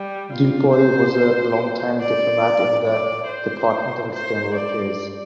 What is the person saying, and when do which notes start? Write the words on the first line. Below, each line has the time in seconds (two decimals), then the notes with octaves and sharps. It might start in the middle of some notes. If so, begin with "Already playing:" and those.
Dupuy was a long time diplomat in the Department of External Affairs.
Already playing: G3
0.32 F4
0.75 C5
2.01 D5
2.86 D5
3.28 C5
4.12 C5
4.54 D5